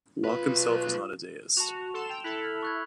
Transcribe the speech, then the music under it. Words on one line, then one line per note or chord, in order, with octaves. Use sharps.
Locke himself was not a deist.
B1 F4 B4
F#4 A5 F7
A4 C6 E7
G5 F7
E4 A4 F#6 B6 F#7
F6
C#6 F#6 G#6